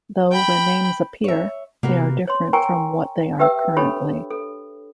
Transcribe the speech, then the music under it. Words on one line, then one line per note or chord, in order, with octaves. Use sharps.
Though when names appear, they are different from what they are currently.
G5 B5
C#5 E5
C3 A#3 B3 F#4
C#5 C6
A#4 G5 G#5 A#5 C#6
G4 B4 E5 G5 E6
D4 G4 A4 C#5 B5
A4